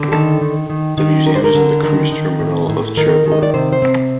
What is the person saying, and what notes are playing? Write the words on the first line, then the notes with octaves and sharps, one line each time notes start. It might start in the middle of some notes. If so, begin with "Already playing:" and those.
The museum is in the cruise terminal of Cherbourg.
Already playing: D3
G4
D#3 A4
D#3
D#3
D#3
D3 A#4
C5
A#4
D3
D#3 A#4
D#3
A2
A2
D#3 A#4
D#3
D#5
D5
C3 C5
C5
C4